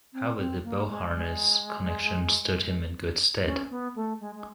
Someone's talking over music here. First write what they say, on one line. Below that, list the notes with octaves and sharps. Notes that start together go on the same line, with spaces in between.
However, the Beauharnois connection stood him in good stead.
C4
C4
A#3
G#3
G#3
C#4
B3
A3
G#3
G#3